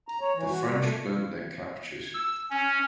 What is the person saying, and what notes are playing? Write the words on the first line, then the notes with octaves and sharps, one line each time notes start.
The French burnt their captures.
A#5
C#5
E3
F#4
G3
A3
E6
C#4